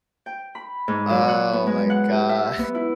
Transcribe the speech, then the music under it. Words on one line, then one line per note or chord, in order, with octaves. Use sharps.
Oh my god.
G5
B5
G#2
F#3
F#5
B3
G#3
F#5
G4
E5
B3
E4